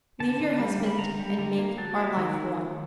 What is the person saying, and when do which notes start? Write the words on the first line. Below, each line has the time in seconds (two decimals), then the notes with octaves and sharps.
"Leave your husband and make our life one."
0.20 D3 A5
0.40 D3
0.59 G3
0.80 A#3
0.86 B5
0.98 D3 A#5
1.19 G3
1.38 D3 A#5
1.58 A#3
1.77 F#3 A5
1.98 E4
2.17 D#3